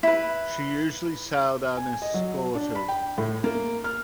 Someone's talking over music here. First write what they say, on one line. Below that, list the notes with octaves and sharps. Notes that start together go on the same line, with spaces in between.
She usually sailed unescorted.
E4 B4
G#5
D#5
F#3
D4
B5
G5
A2
A#3
F6